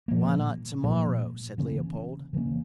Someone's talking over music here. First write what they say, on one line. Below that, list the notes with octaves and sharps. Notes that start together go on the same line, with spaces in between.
"Why not to-morrow?" said Leopold.
A#2 F3 A#3
A#2 F3 A#3
C#3 E3 A#3 C#4
C#3 E3 A#3 C#4